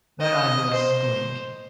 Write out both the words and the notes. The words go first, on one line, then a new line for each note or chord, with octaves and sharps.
Where are yous going?
D#5
C5